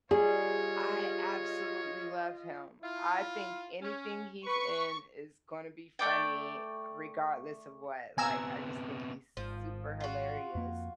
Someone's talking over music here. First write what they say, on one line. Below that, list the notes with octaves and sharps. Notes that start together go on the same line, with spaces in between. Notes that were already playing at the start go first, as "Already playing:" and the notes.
I absolutely love him. I think anything he's in is gonna be funny, regardless of what, like, I just think he's super hilarious.
G3 F4 G#4 C#5 D#5
E4 F4
C#4
B4 C#6
A3 D5 G5
C3 B3 G#5 A#5 E6
G#1 F3
F4 F#4
F2 A#3